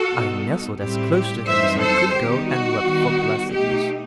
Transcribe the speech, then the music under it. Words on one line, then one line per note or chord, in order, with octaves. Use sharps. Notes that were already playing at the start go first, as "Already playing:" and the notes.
I nestled as close to him as I could go, and wept for blessedness.
Already playing: F#4 A4
B2 G3 D#4
A2 G3 C4 E4 G4
G4
F#2 E3 G3 C4 D#4 C5 E5
A4 C5
D#3 G3 B3 D#4 G4
F#4
D#3 G3 B3 D#4
B2 A3 D#4 G4